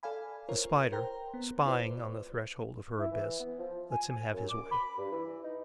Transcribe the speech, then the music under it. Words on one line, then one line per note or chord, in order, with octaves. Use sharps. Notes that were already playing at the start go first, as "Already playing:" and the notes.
The Spider, spying on the threshold of her abyss, lets him have his way.
A4 D5 F5 G#5 B5
F4 A#4 C5 C#5
A#4 C5 G5 A#5
B3
E4 F4 B4 C5 D5
E4
E3
B3
F3
G#5
F#2
D6
B5
G2
E3
D#4